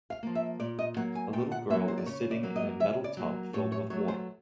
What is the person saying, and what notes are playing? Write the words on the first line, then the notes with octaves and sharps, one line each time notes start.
A little girl is sitting in a metal tub filled with water.
F5
F3 A#3
E5
A#2 D5
D#5
F#3 A#3 F#5
G#5
A#2 G5
F#5
F#3 A#3 E5
C5
D5
C#3 C#5
D5
F#3 A#3
D#5
C#3 E5
D5
F#3 A#3
A2 C#5
C#5
F#3 A3 C#5
C5